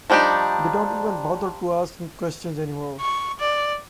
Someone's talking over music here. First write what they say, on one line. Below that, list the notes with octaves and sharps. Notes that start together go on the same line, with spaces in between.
They don't even bother to ask me questions any more.
F3 G3 D4 D#4 G4
C#6
D5